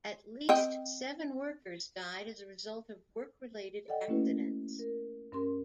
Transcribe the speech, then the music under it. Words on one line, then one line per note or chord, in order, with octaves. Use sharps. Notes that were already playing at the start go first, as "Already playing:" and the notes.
At least seven workers died as a result of work-related accidents.
C4 D#5 G5
A4 D5 D#5 F#5 G5
A3 A#3 C#4 E4 F#4 B4
A#4
G2 C#4 A#4 C6